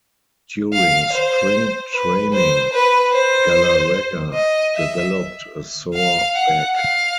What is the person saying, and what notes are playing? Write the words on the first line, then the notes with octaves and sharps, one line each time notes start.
During spring training, Galarraga developed a sore back.
F5
C5
B4
C5
B4
C5
D#5
E5
F5
F#5
F5